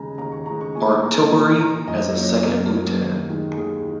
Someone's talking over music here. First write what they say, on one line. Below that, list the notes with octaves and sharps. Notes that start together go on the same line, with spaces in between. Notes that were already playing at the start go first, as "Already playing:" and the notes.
Artillery as a second lieutenant.
Already playing: D#2 C#3 G#3 G#5 A#5
D#2 A#5
C#6
C#3 G#3 A#5
C#6
A#2 G#5
A#3 A#5
A#2 C#6
A#3 A#5
F#2 D#5
F#3 A#3 C#5
F#2 A#4
F#3 A#3
D#2
D#3 G#3
D#2 G#4
D#3